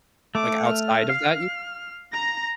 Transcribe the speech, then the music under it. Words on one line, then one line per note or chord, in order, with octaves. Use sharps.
Like outside of that y
A3 D6
F6
F5
A#5 A#6